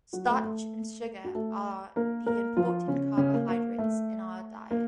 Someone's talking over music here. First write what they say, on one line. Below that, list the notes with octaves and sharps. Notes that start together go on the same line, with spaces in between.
Starch and sugar are the important carbohydrates in our diet.
F#3 F#4
A3 A4
A3 A4
F#4
A3 A4
A#3 A#4
A#3 A#4
F3 F4
C#3 C#4
C#3 C#4
A#3
A#3
A3
A#3